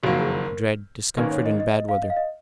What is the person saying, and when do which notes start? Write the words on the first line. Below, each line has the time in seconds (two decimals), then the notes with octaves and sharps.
I dread discomfort and bad weather.
0.03 F#1 F2 D#3 F#3 A#3 F#4
0.19 G#4
0.32 A#4
1.17 G#1 G#2 D#3 A#3 C#4 B4
1.32 C#5
1.46 D#5
1.60 D#5
1.74 D#5
1.89 F5
2.03 D#5
2.10 F5
2.17 D#5